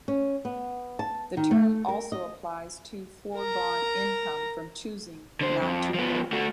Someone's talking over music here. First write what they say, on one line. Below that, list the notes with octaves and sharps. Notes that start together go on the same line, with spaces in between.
The term also applies to foregone income from choosing not to work.
C#4
B3
A5
D#3
A3
A#4
D#5
A#4 A#5
D3 C5
F2
F3 B3
A3 F#4